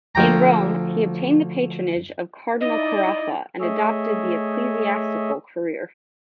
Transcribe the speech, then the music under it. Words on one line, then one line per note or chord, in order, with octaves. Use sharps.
In Rome, he obtained the patronage of Cardinal Carafa and adopted the ecclesiastical career.
D2 F3 G5 A#5
D#4 E4 D5 D#5
A3 G#4 C#5 D#5 E5